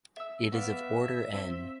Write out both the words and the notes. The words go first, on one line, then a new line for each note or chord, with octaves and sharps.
It is of order "n".
E5 E6
B3 F#4 D5 E5 F5
C4